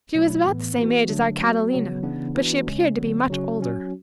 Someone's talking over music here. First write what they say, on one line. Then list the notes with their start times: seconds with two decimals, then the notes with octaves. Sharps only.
She was about the same age as our Catalina, but she appeared to be much older.
0.15 B2 F#3 A3 E4
0.45 A2 E3 B3
0.77 E3 B3 F#4
1.09 D3 F#3 A3 D4
1.40 F#3 B3 F#4
1.71 C#3 F#3 B3
2.03 C#3 E3 B3 D4
2.35 E3 B3 D4 F#4
2.66 C#3 G#3 C#4
2.98 D3 F#3 B3
3.30 C#3 F#3 C#4 F#4
3.60 F#3 C#4 F#4